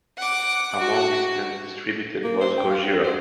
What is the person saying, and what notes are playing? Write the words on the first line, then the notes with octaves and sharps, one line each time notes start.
Among its films distributed was "Gojira".
F#5 D6
F#4
A#3
C5
G5
F5
F#5
C5